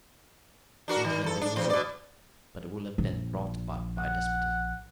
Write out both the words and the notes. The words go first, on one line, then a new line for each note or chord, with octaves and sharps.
Anarchy will then be the result, but it will have been brought about by despotism.
D4 F#4 A#4
D#3
E2 A4
D4
E2 C4
B2 D5
A#1
F#5